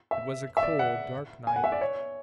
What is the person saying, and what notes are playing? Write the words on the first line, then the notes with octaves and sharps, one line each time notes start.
It was a cold, dark night.
E5
E5
D5
F#5
G#5
F#5
E5
D5
C#5